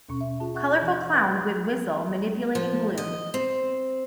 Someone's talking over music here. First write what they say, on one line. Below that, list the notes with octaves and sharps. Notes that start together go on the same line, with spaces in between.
Colorful clown with whistle manipulating balloon.
D#2 B2 C#4 C#6
E5
F4 G#4 A5
G#4 E5 F#5 C#6 F#6
E3
B4 F#5 G5
F3
D#5
C4